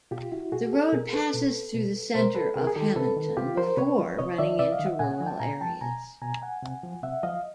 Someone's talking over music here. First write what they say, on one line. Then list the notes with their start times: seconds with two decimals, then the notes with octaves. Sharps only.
The road passes through the center of Hammonton before running into rural areas.
0.11 B2 F4 G4
0.32 E4 F#4
0.52 B2 F#4 G#4
0.73 G4 A4
0.92 B2 G#4 A#4
1.13 A4 B4
1.34 B2
1.75 B2
2.15 B2 A#4 C5
2.35 A4 B4
2.55 C3 G#4 A#4
2.67 G#4
2.76 D#3 G4 A4
2.96 C3 A4 B4
3.16 D#3
3.37 C3 F4 G4
3.57 F3 A#4 C5
3.77 C3 B4 C#5
3.99 F3
4.19 C3 C#5 D#5
4.38 D#3 D5 E5
4.59 C3 D5 E5
4.72 D#5 F5
4.79 D#3
4.86 E5 F#5
4.99 A#2 F#5 G#5
5.13 F#5 G#5
5.20 F3
5.26 G5 A5
5.40 A#2 G#5 A#5
5.61 F3 G5 A5
5.81 B2 G#5 A#5
6.22 B2 G#5 A#5
6.42 F#5 G#5
6.62 C3
6.83 F3
7.03 C3 E5 F#5
7.23 F3 D#5 F5